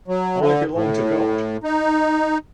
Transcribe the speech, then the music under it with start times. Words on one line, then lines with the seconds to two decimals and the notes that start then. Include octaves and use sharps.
I belong to God.
0.08 F#3
0.40 D3
0.74 A2
1.63 D#4